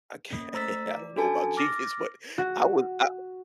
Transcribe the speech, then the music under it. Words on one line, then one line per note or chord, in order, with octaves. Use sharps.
Okay, I don't know about genius, but I would I
A#3 C#4
A3 C5 A#5 E6 A6 B6
D5
C#4 D4 F#4 A4 G#5 A5
D6 F6 A6 A#6
F#4